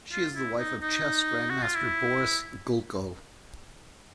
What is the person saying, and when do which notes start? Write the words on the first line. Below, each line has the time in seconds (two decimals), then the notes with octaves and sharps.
She is the wife of chess grandmaster Boris Gulko.
0.12 F4
0.36 E4
0.58 D#4
0.82 D#4
1.50 F#4
1.62 F4
1.75 E4